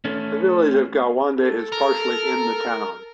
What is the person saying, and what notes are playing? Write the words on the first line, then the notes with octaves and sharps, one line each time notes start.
The village of Gowanda is partially in the town.
A3 C#4
A4
A#4